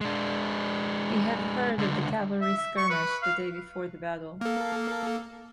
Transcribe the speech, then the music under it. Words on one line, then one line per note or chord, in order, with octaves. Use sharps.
He had heard of the cavalry skirmish the day before the battle.
G#3 D4
C#2 D3
E5
E5
C#6
B4
F5
A#3 A4 F5